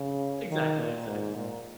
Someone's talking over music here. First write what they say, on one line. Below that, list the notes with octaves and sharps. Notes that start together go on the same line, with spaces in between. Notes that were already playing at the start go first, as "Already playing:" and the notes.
Exactly, exactly.
Already playing: C#3
D#3
A#2
G#2
A#2